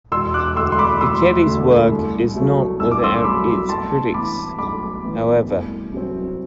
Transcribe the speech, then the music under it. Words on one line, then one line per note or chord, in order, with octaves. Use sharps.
Piketty's work is not without its critics, however.
E1 C6 E6
D6 F#6
D2 D3 A3 C6 E6
C6
B5 D6
E1 C6 E6
D2 D3 A3
C2
B2 F#3 A3
C2 E6
D6
C6 E6
B2 F#3 A3 B5 D6
B1 A5 C6
A2 E3 B3 B5 D6
B1 B5 D6
A2 E3 B3
C2
C3 F#3 C4